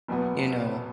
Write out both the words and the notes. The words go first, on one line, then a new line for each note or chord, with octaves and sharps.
you know,
F#1 E2 B2 B3